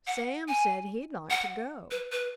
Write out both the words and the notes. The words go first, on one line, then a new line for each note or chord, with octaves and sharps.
Sam said he'd like to go.
F#5
G#5
F#5
B4
B4